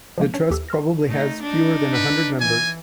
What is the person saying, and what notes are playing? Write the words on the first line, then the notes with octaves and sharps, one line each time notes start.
The Trust probably has fewer than a hundred members.
F3 G#3 A#3
C#4 D4 C#5
D#2 G4 A4 E6
C6 E6 F6 A#6
A3 D#4
D4 D#4
B4
E3 G#5